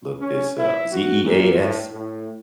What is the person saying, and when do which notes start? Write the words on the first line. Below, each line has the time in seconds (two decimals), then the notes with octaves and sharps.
look this up. Z-E-A-S?
0.20 C#4
0.58 E4
0.92 F#4
1.24 A#2
1.58 A2
1.92 A2